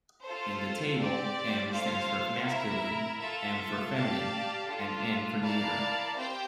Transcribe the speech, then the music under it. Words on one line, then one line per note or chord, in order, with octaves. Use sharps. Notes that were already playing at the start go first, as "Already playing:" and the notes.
In the table, "m." stands for masculine, "f." for feminine, and "n." for neuter.
F4 A4 C5
C4 G4 D5
F4 A4 C5 F5
E4 A#4 E5
F4 A4 E5
G4 D5 F5 A5
D4 F4 A4
E4 A#4 D5 F5 A5
C4 G4 C5 G5